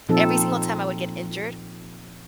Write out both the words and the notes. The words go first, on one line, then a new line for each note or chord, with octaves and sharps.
every single time, I would get injured
A#2 F3 C4 D#4 A4